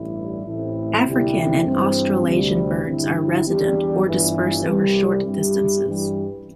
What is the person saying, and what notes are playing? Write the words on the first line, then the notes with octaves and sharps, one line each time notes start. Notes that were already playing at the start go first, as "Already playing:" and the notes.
African and Australasian birds are resident or disperse over short distances.
Already playing: A1 G2 G3 E4
A1 A2 A3 C4 E4
D2 C3 G3 E4 G4
G2 E3 C4
D2 C3 G3
G2 D3 C4 E4
E2 E3 G3 D4 G4
G1 G2 E3
C2 C3 E3 G3
G2 G3 E4 G4
G2 E3 G3